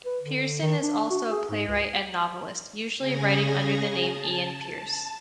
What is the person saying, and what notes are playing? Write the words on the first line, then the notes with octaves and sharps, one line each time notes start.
Pierson is also a playwright and novelist, usually writing under the name Ian Pierce.
B4
D3
D#3
D4
F#4
G#4
G#2
C#2
C#3 G#4 G#6 A#6
A5